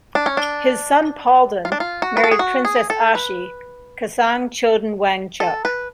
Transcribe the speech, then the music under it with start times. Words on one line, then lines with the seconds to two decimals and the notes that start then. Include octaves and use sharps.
His son Palden married Princess "Ashi" Kesang Choden Wangchuck.
0.15 D4
0.26 C#4
0.37 D4
1.65 F4
1.72 D4
1.80 F4
2.02 F#4
2.17 B4
2.24 A4
2.31 G#4
2.39 F#4
2.65 G#4
2.90 A4
3.15 B4
5.40 A4
5.65 B4